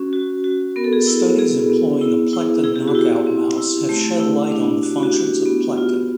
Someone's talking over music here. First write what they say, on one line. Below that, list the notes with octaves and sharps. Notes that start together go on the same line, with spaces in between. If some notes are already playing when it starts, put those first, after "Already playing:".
Studies employing a plectin knockout mouse have shed light on the functions of plectin.
Already playing: C#4 F#4
F#4
F#4
B3 A#4
A4
G#4
A4
E4
B3 G#4
B3
E4
E4
E4 G#4
G4
F#4
E4 G4
C4
E4
A3 G4
E4
D4
F#4
F#4
F#4 G4
B3
F4